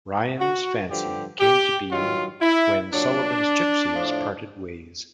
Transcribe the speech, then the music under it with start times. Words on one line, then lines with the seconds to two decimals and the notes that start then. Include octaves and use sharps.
Ryan's Fancy came to be when Sullivan's Gypsies parted ways.
0.40 F#4
0.89 G2 D3 F3 G4
1.40 G4
1.90 G2 D#3 F#3 F4
2.41 E4
2.91 A#2 F#3 D4
3.92 A2 F3